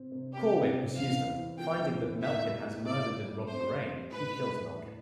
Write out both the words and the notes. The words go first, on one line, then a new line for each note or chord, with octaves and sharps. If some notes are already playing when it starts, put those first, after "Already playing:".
Corwin pursues them; finding that Melkin has murdered and robbed Lorraine, he kills Melkin.
Already playing: C3 C4
C3
C4 G4
C3
C3
E2 F5
E2
E2
F3 G5
F3
E2
A2 E5
G3
A2
A2 D5
A2
G3
C4 C5
G3
G3
A2 B4
G3
A2
A2